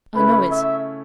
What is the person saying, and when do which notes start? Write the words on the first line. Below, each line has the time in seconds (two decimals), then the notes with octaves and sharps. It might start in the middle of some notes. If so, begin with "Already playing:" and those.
"I know it."
0.15 C#3 A3 C#4 E4 B4
0.51 E5